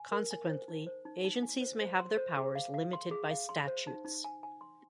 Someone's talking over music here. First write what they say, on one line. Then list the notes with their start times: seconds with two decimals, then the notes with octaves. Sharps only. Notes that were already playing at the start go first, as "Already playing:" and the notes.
Consequently, agencies may have their powers limited by statutes.
Already playing: G#5
0.11 A#4
0.31 G#5
0.49 C5
0.68 D#4
0.87 C5
1.05 D#4
1.25 D#4
1.43 G#5
1.61 C5
1.81 C5
2.00 C6
2.17 C5
2.37 G#4
2.55 F5
2.74 F5
2.93 C6
3.11 G#4
3.31 F5
3.49 C6
3.67 C5
3.87 D#4
4.05 D#4
4.24 G#5
4.43 G#5
4.61 C6